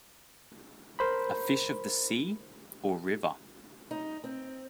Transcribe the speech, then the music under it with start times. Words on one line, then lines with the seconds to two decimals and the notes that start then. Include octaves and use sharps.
A fish of the sea or river?
0.99 A#4 C5 B5
3.91 D#4
4.24 C4